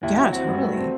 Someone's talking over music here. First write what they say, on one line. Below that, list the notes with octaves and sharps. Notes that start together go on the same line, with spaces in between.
Yeah, totally.
D#2 E4
F#3 E4
C4 F#4
G2
A3
C4